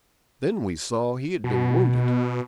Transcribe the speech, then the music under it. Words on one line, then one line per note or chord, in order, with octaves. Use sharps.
Then we saw he had been wounded.
B2